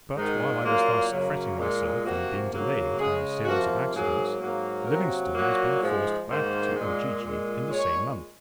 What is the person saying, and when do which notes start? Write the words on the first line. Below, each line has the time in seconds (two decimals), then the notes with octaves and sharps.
But while I was thus fretting myself, and being delayed by a series of accidents, Livingstone was being forced back to Ujiji in the same month.
0.15 G#2 D#3 G#3 D#4
0.62 A#2 F#3 A#3 F4
1.09 F#2 C#3 F#3 A#3
1.57 A#2 G#3
2.04 C3 F3 A#3 F#4
2.51 C#3 F#3 A#3
2.98 C#3 G#3 G#4
3.45 C3 F3 A#3 F#4
3.93 G#2 F#3 A#3 G#4
4.40 G#2 F#3 A#3
4.86 C3 F#3 A#3 A#4
5.34 A#2 F#3 A#3 F#4
5.82 G#2 F3 G#3
6.28 G#2 D#3 A#3 C5
6.75 A#2 G#3
7.23 A#2 G#3
7.70 A#2 G#3 C#5